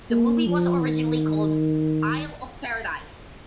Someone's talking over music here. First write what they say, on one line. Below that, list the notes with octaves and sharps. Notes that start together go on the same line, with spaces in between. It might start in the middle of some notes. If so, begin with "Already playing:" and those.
The movie was originally called "Isle of Paradise".
A#3
F3
D#3